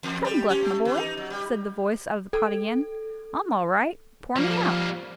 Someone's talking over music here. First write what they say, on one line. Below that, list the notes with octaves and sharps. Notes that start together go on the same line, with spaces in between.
"Come, Gluck, my boy," said the voice out of the pot again, "I'm all right; pour me out."
E2
G3
C#4
A3
E3
D#4
F#3
G3
A4
F3 G3 A#3